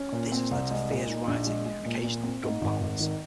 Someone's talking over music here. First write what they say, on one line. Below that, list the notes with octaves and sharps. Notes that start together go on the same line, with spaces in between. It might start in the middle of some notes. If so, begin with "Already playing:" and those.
This has led to fierce rioting and, occasionally, gun battles.
Already playing: C#4
A#2
C4
C2
G#3
A#2
D#4
A#1
G#3
G#3
A#2
A#2
C4
G#2
G#1
G#1
D#3